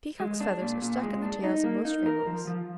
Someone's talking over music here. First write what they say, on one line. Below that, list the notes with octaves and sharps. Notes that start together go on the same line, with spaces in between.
Peacocks' feathers are stuck in the tails of most families.
G#3
D4
A#2
A#2
G#3
D4
D#4
A#3
D#4
A#4
F3
F3